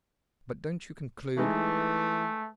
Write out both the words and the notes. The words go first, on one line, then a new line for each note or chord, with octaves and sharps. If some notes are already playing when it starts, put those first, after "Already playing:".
"But don't you conclude--?"
E3 G#3 A3 D#4 B4